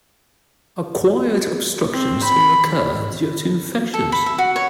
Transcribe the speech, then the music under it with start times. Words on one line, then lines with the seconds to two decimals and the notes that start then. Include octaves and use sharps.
Acquired obstructions can occur due to infections.
1.93 C4
2.23 B5
3.94 A4
4.12 B5
4.26 E5
4.38 F#4
4.56 C#5